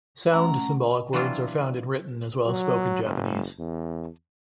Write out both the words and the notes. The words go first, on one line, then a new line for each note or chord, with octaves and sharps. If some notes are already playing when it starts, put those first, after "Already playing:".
Sound symbolic words are found in written as well as spoken Japanese.
A3 C#4 F#5 A#5
E3 F#3 G3 D4 E4 F4
F#3
F#1
E2